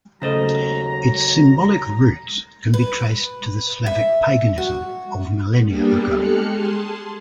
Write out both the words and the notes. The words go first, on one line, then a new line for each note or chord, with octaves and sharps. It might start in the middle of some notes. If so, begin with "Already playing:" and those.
Its symbolic roots can be traced to the Slavic paganism of millennia ago.
D#2 C#3 F#3 A3 A4 C5 D#5 A#5
B4
E5
F#4
G3 A#3 B3 D4 G4 G#4
G#3 G4 A4 F6 F#6 C#7
G#4 A5 C6